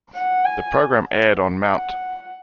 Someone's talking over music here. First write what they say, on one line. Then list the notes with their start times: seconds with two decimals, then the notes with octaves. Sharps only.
The program aired on Mt.
0.15 F#5
0.45 G#5
1.66 F#5